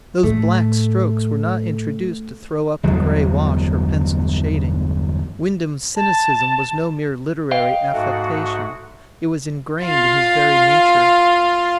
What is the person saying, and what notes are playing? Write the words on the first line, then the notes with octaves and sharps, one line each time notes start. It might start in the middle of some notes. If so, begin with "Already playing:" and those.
Those black strokes were not introduced to throw up the grey wash or pencilled shading; Wyndham's cynicism was no mere literary affectation, it was engrained in his very nature.
A2 A3
G1 E2 F#3 G#3
A5
D#5 F5 G5
G#2 A3 F#4
F4 F5